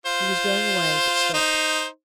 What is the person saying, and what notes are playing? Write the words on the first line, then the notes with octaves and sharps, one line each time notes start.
He was going away, but stopped.
F4 C5
D#4 C5